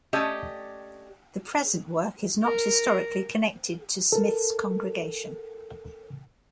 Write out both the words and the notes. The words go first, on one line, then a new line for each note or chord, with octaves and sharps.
The present work is not historically connected to Smyth's congregation.
A3 C#4 G4 D5 D#5
A#4
A4 A#4